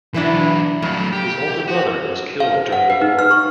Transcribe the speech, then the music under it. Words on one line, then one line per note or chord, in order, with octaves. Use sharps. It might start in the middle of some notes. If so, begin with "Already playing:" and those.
His older brother was killed during the war.
E3 F#3 D4 E4 B4
F2 F#3 A3
G4
F#4
F5
C5
F#5
B4
D#4
F6
C#6